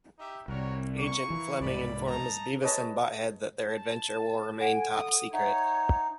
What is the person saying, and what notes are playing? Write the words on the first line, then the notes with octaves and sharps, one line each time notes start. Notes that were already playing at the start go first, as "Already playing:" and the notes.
Agent Flemming informs Beavis and Butt-Head that their adventure will remain top secret.
D#4 G4 E5
C2 F#4 A#4 C#5
A#3 C#6
E3
C2 G#2 D5 B5
D#4 A5 A#5
G#4 B4 C#5 D#5 A5
A5
A4 F#5 G#5 D7
D#6
D#4 C#5 E5 F#5